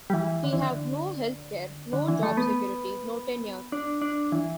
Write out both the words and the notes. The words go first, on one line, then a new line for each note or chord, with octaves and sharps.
We have no health care, no job security, no tenure.
G3
E3
D3
E3
D3
D3
E3
A3
B3
D4
D4
E3